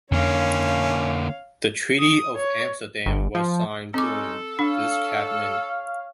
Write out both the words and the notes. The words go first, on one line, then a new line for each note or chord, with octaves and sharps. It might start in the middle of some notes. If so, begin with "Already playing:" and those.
The Treaty of Amsterdam was signed during this cabinet.
F2 D3 A#3 C#4 C#5 F5
D#6
C#5
G1
F3
G#3 C4 C#4 D#4 A4 D6
D4 C#5 F5